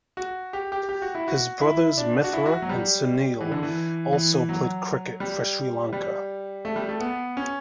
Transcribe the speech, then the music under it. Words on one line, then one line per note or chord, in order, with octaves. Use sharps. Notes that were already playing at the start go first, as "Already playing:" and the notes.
His brothers Mithra and Sunil also played cricket for Sri Lanka.
F#4
G4
G4
G4
F#4
E4
F#4
E4
D4
F#4
E4
F#4
F#3
G3
E3
D3
E3
E3
F#3
G3
G3
A3
G3
A3
B3
C#4